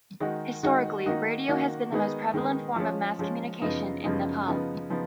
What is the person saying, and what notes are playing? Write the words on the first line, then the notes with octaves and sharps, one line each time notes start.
Historically, radio has been the most prevalent form of mass communication in Nepal.
D#3 G#3 D#4 F#4
D#3 G#3 D#4 F#4
D#3 A#3 D#4 F#4
D#3 A#3 D#4 F#4
D#3 G#3 B3 D#4 G#4
D#3 G#3 B3 D#4 G#4
F3 G#3 C#4
F3 G#3 C#4
F#2 C#3 F3 B3 D#4
F#2 C#3 F3 B3 D#4
C#3 F3 B3 D#4
C#3 F3 B3 D#4